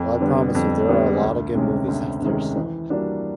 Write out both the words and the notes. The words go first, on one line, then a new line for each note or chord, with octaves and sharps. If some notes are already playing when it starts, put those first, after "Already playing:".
Well, I promise you, there are a lotta good movies out there, so
Already playing: F2
D3 G3 B3 D4
F2
D3 G3 B3 D4
D2
C3 D#3 G#3 C#4
D2
C3 D#3 G#3 C#4
E3
G3 A#3 D4 F#4